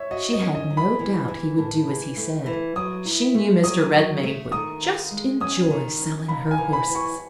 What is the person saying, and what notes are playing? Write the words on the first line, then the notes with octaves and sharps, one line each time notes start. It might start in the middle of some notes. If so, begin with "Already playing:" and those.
She had no doubt he would do as he said; she knew Mr. Redmain would just enjoy selling her horses.
Already playing: C#5 E5
F#4 D#5
D#5
C#4
D#5
F#3
B5
E3
E3
A2
E3
A3
E3
F#3 D#6
E4
A3
F#3 D#6
F#3
A3
D#3 D#6
D#2
G#3
C#4 D#6
D#3
C#4
D#2 B5
G#5
E3
B5
E3
C#6